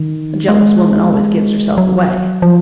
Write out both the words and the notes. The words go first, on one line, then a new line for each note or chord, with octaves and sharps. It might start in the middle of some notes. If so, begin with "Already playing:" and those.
A jealous woman always gives herself away.
Already playing: D#3
G#3
F#3
F3